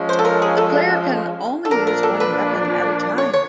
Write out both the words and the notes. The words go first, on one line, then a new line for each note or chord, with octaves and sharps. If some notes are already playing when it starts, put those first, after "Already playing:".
The player can only use one weapon at a time.
Already playing: F3 G#3 C#4
C5
A4
A#4
G#4
A4
A4
A#2 F3 A#3 D4 A#4
A#4
A4
B4
C#5
C#5